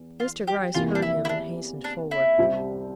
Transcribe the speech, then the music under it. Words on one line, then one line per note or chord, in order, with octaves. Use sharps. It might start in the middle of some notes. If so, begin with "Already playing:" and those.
Mr. Gryce heard him and hastened forward.
Already playing: E2
F4
G4
E2 C3 E3 A#3 F4
D4
E4
E4
D4
D4
E4
C2 C3 G3 C4